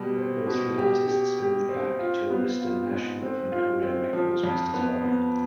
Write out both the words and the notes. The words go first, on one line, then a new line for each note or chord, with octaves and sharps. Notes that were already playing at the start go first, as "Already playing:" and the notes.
All three artists moved back to Arista Nashville when Career Records was dissolved.
Already playing: B2 G3
C4
B2
G4
G4
G4
C4
F4
B3
F4
G#2
C4
F4
C4
F3
F2
B3
B3